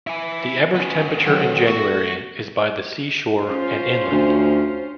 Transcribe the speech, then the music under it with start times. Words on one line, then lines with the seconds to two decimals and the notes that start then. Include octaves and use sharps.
The average temperature in January is by the seashore and inland.
0.07 E4 G#5
0.75 B3 C#4
1.24 D3 D#3 F#3
1.67 A3 B3 F#4
3.39 C#4 F4 C5
4.12 D2